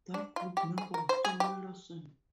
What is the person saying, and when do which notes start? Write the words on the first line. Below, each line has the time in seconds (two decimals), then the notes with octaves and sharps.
That group member was Sonya Larson.
0.14 D4
0.36 F4
0.57 G4
0.78 G#4
0.94 A#4
1.09 C5
1.25 G#4
1.40 G4